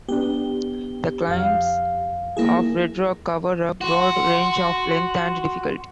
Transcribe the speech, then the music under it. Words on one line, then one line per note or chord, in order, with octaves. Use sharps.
The climbs of Red Rock cover a broad range of length and difficulty.
B3 D4 G4
F2 F5
A#3 E4 G#4
F#4 C6